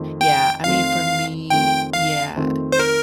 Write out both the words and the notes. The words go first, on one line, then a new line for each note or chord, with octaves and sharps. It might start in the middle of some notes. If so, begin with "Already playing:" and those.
Yeah. I mean, for me, yeah,
Already playing: F2 D#3 A3 C4
G5
F2 D#3 A3 C4 F5
F2 D#3 A3 C4 G5
F5
F2 D#3 A3 C4
C5
A#4